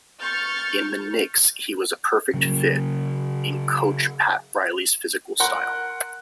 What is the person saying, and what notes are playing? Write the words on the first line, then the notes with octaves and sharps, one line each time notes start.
In the Knicks he was a perfect fit in coach Pat Riley's physical style.
C#6 F6 G6 A6
C#3 F#3
A#4 F#5 C6 F#6